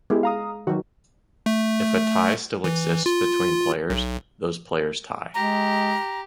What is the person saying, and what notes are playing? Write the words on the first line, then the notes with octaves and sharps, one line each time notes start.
If a tie still exists between players, those players tie.
G#3 B3 E4 G4
F5 A#5 D#6
D#3 F#3 F#4
A3
E3
F4
B1
G#3 G4 A#5